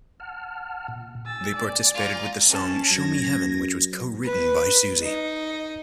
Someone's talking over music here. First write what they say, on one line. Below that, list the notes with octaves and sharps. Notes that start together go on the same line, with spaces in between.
They participated with the song "Show Me Heaven", which was co-written by Susie.
F#5 A5 F6
A#2
G#5 E6 A6
D5
F4 A#5
C#4 A5
F#2 G#6 A#6
B4
D#4